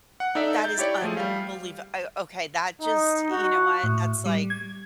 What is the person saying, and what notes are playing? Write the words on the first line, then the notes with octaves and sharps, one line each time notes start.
That is unbelieva o okay, that just you know what, that's like
F#5
D#4 A4 D5 E5
G6 A6
E4 G4 C#5 D5
F3 A3 G#4
G3 F5
D#4
F#4
A2
G3
G#6